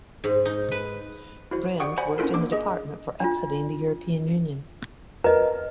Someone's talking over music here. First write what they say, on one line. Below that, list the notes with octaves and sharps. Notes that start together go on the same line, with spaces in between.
Brind worked in the Department for Exiting the European Union.
G#2
D#4
B4
E4 F#4 C5
G4 D5 F#5 G5 C#6 D#6
C5 D5 F#5 G#5 B5
C#4 D4 E4 F4 A4 A#4
A#3 D4 D6
G#4 D#5
D4 F4
A#4 B4 D#5